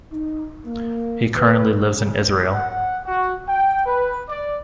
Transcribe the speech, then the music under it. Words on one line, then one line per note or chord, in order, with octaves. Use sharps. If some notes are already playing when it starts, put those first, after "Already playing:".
He currently lives in Israel.
D#4
A#3
B4
C#3
F#5
F#4
G5
B4
D5